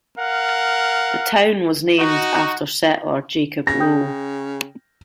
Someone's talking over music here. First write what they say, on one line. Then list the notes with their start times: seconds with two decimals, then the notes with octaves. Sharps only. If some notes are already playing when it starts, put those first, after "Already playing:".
The town was named after settler Jacob Low.
0.18 A#4 F5 F#5
1.98 D#4 F#4
3.67 C#3 A#6
3.80 G5 D#6 G6